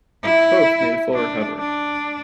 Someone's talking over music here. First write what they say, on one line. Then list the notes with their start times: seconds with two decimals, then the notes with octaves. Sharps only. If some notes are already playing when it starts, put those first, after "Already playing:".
Both made a full recovery.
0.23 E4
1.13 D4
1.58 D4